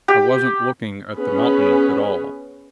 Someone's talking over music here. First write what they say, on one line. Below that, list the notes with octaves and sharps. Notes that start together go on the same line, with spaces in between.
I wasn't looking at the mountain at all.
G4
B3 C#4 G#4 B4